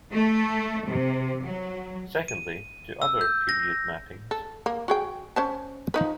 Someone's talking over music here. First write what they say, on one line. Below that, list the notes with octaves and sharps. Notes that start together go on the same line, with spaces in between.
Secondly, to other period mappings.
A3
C3
F#3
D#7
E6
G6
A#6
A4
A#3
F#4 G#4 G5
C#4 C5 A5
F3 D#4 B4